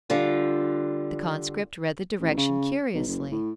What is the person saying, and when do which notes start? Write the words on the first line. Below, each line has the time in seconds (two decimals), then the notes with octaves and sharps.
The conscript read the direction curiously.
0.10 D3 G3 F4
2.20 A1
2.37 C#3
2.94 B1
3.07 F#1
3.31 A2